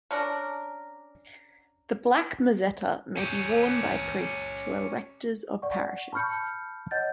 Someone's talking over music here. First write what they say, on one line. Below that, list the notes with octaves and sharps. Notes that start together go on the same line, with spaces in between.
The black mozzetta may be worn by priests who are rectors of parishes.
C#4 D4 A#4
C#4 G4
D5 F#5 C#6
A5 B5 C#6 F6 G6 C#7
C#5 D#5 F#5 G6 A6